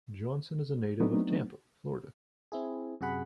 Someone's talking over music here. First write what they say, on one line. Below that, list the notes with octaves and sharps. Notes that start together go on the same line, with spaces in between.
Johnson is a native of Tampa, Florida.
F#3 A3 B3 C4 D4 D#4
C4 E4 G#4
F#2 C3 F#4 G#4 F#5 B5